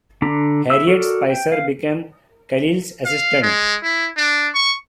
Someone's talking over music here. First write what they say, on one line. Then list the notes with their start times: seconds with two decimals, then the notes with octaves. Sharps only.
Harriet Spicer became Callil's assistant.
0.22 D3 D4 A#5 B5
0.70 E4 E5 E6
0.87 F#4 A4 A#4 D5
1.29 G5
1.52 F5
3.05 F5
3.42 G#3
3.83 E4
4.17 D4
4.54 C#6